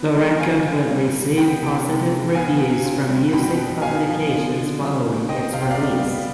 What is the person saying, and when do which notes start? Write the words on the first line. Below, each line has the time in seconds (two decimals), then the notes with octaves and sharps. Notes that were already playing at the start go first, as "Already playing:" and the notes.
The record would receive positive reviews from music publications following its release.
Already playing: B3
0.15 G3
0.40 D#3 F5 G#5
0.64 D#3
0.89 G3
1.13 D#3
1.38 B3 G5 B5
1.63 C3
1.87 G#3
2.11 F3
2.35 B3 F5 G#5
2.60 C3
2.84 C4
3.08 G3
3.33 B2 G5 B5
3.58 B2
3.82 B3 F5 G#5
4.06 F3
4.32 D3
4.55 D3
4.80 G3
5.04 D#3
5.29 C4 D#5 G5
5.53 C3 F5
5.62 G5
5.71 D5 F5
5.78 B3
6.02 G3